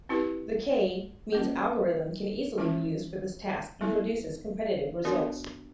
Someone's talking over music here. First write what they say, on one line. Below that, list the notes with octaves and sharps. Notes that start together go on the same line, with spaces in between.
The "k"-means algorithm can easily be used for this task and produces competitive results.
C4 E4 G4 B4
A#3 C#4 F4 A#4
E3 G#3 C#4 F4
G#3 B3 E4 A4
B3 D4 F#4 A#4 D5